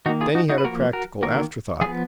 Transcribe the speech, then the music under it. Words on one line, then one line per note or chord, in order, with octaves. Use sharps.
Then he had a practical afterthought.
D#3 A#3 D#4 F#4
F4 G#4
D#4 F#4
D#4 F#4
B4
F3 A#3 F#4 A#4
F#4 A#4
D#3 A#3 F#4 A#4
F3 B3 F4 G#4